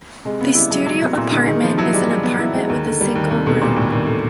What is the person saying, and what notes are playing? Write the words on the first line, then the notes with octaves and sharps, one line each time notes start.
The studio apartment is an apartment with a single room.
C3 G#3
C#3 B3
G3 E4
F#3 G#3
F#3 G#3
C3 B3
A#2 E4
D3 G#3
D#3 G#3
F3 B3
F#3 E4
G3 G#3
F#3 G#3
B3
E4
G#3
D#2
D3
G3
D#2
D#2 C3
B2 D3
A#2 G3
D#2 A2
D#2
D3